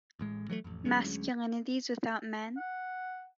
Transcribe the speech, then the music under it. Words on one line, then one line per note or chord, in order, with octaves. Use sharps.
Masculinities without Men?
A1 A2 G#3
E3 F#3 G#3 A3
A1 F2
D2 F#3 G#3 C#4
F#5